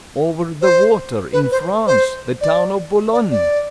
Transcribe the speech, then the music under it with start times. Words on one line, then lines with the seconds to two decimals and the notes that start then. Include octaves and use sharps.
"Over the water--in France--the town o' Bolone."
0.62 C5
1.33 B4
1.51 C5
1.87 C5
2.41 D5
3.13 D5
3.31 D5